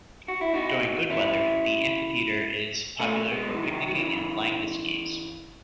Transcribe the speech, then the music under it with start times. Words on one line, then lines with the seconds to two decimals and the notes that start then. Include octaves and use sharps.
During good weather, the amphitheater is popular for picnicking and flying disc games.
0.28 F#4
0.41 E4
0.53 D#4 F#4
1.10 C#4 E4
3.00 A3 C#4
3.31 G#3 B3
3.54 E3
3.63 D#3 F#3
3.88 F#3
3.94 C#3 E3